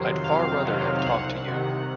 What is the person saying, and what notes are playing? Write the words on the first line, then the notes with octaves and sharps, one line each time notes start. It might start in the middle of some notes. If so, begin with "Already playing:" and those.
I’d far rather have talked to you.
Already playing: F2 C3 D#3 F#3 C5
F2 F5
C3 D#3 F#3
F5
C2 F#5
C3 D#3